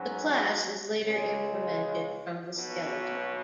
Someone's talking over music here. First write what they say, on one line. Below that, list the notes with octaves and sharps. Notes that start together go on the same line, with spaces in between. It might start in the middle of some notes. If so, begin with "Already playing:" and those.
The class is later implemented from the skeleton.
Already playing: G#2 F#3 C#4 F#4 B4
C#2 C#3 G#3
B1 B2 F#3